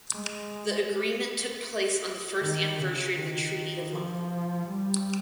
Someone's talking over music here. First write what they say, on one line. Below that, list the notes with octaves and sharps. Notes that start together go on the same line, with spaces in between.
The agreement took place on the first anniversary of the Treaty of London.
G#3
D#3
C#3
D#3
F3
G3